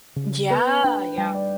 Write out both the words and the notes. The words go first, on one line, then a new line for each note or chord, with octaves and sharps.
Yeah, yeah.
C#3
B3 B4
D4 G5
G3 G5
D5